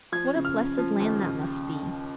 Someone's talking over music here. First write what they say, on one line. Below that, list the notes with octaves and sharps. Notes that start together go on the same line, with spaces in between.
What a blessed land that must be!
F3 G#6
C#3
F6
C#3
F3
D#2
C#3